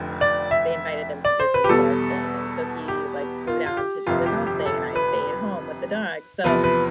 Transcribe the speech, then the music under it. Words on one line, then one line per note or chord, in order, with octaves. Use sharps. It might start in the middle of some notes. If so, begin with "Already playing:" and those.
uh they invited him to do some golf thing, and so he, like, flew down to do the golf thing, and I stayed at home with the dogs, so
Already playing: F1 F2 D3
D5
E5
D5
C5
B4
G4
E2 B2 G3 A4
G4
F4
F4
G4
G1 F2 C3 F4
G4
G4
A4
B4
E2 C3 F3 B4
B4